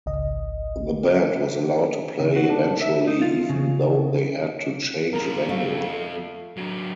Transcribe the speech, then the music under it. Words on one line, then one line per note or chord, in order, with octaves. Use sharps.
The band was allowed to play eventually even though they had to change venue.
G#1 C#2 D#5
C#3
F#4
D4
E5
D#4
F4
C#3
F2 A#4 A#5
A3 F5
F#3 D4